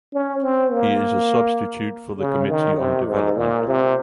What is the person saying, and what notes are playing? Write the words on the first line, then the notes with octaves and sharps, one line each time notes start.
He is a substitute for the Committee on Development.
C#4
C4
A#3
C#3
D#3
C3
G#2
A#2
C3